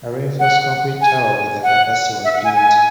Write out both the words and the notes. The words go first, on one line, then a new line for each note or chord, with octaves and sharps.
A reinforced concrete tower with a capacity was built.
F#5
G#5
F#5
E5
F#5
G#5
G#5